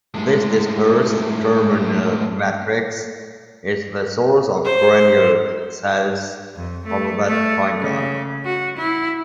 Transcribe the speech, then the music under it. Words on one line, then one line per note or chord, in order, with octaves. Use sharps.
This dispersed germinal matrix is the source of granule cells from that point on.
A2 G#3
C5
F2
A3
A3
C#3
F#4
E4